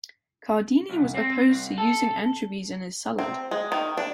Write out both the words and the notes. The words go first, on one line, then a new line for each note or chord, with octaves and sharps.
Cardini was opposed to using anchovies in his salad.
C2
C4
C2
A4
C4
G#3
D#3
D4